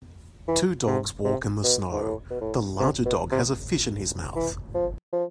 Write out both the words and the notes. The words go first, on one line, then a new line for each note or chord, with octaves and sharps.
Two dogs walk in the snow, the larger dog has a fish in his mouth.
E3
C3
C3
B2
G#2
A2
B2
A2
C3
B2
C3
E3
F3
F3